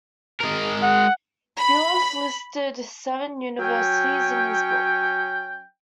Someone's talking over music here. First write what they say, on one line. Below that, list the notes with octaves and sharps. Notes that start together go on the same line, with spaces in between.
Beloff listed seven universities in his book.
G#3 A#4
F#5
B5
F#3 C#4 G5